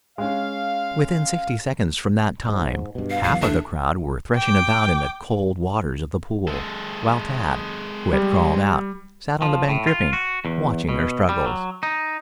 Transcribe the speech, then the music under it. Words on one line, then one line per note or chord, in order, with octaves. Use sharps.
Within sixty seconds from that time half of the crowd were threshing about in the cold waters of the pool, while Tad, who had crawled out, sat on the bank dripping, watching their struggles.
G#3 C#4 F5
G#2
G2 B2
F5
B1 E2 F5
A1 A3 D4
G5 D6
G#3 A4
G3
F3
A2
F4
F#4
E2
B2
G3
F#3
D#4